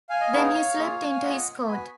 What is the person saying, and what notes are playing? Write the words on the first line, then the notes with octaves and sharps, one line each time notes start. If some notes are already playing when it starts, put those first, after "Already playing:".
Then he slipped into his coat.
F5 G#5
D#5
B3 D#4 G#4 C#5 F5
A#3 F4 G#4
G#5
A#3 F4 G#4 D#5 F#5
B3 F#4 G#5 B5